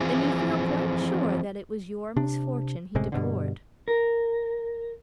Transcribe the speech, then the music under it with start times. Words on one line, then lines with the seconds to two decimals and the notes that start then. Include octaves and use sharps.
"Then you feel quite sure that it was your misfortune he deplored?"
0.01 E3 F3 C4 G#4
2.16 C3 D4
2.95 F#1 A2 C3 G#3
3.12 G2 B2 D3
3.88 A#4